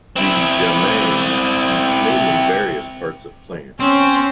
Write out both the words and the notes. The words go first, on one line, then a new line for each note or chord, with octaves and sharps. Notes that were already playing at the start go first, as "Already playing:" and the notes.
The siamang eats mainly various parts of plants.
C4 E4
C4 C#4